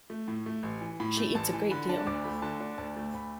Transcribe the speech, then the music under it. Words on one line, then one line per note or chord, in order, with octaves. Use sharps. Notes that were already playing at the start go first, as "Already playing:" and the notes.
She eats a great deal.
A3
A2
A3
A1
E3
A2 B5
A3
A1 A5
E3
D3 B5
D4 A5
D2 D6
A3 B5
D3 A5
D4
D2 A5
A3
D2 B5